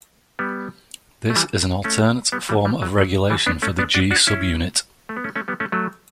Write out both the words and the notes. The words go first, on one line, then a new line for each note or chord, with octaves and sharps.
This is an alternate form of regulation for the G subunit.
G3 B3
A3
E3 G3
A3 C#4
G3 B3
E3 G3
E3 G3
F#3
F#3
E3 G3
B3 D4
A3 C#4
B3 D4
D4 F#4
D4 F#4
C#4 E4
A3
B3
A3 C#4
A3 C#4
G3 B3
A3 C#4
F#3 A3